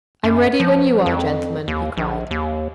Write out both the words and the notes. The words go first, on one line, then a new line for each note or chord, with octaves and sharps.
"I'm ready when you are, gentlemen," he cried.
F#2
F3
F2
D#2
A#1
D#2